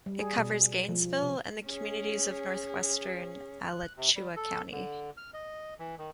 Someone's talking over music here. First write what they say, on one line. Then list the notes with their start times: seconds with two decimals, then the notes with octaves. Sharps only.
It covers Gainesville and the communities of northwestern Alachua County.
0.06 G3
0.19 G#4
0.37 B2
0.89 F3
1.22 C3
1.65 C#4 G#4
3.71 F#6
3.97 C3
4.15 G3
4.36 A4
4.72 D3
5.17 F6
5.34 D#5
5.79 E3
5.98 D#3